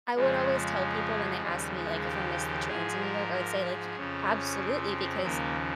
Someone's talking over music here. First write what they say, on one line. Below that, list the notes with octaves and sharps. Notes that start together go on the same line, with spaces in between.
I would always tell people when they ask me, like, if I miss the trains in New York, I would say, like, "Y absolutely, because,
F2 C#3 F3 G#3
D#2 C#3 F3 G3
G#3
G4
G#2 F3 G#4
A#4
A#4
G#4
F2 C#3 F3 C#4
C4
D#2 C#3 F3 A#3